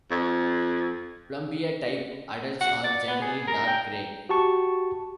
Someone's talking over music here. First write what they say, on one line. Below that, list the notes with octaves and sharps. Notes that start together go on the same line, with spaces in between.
"Plumbea"-type adults are generally dark gray.
F2
F#5
D5
B3
G#4
A#4
G5
F#4 G4 A5 C#6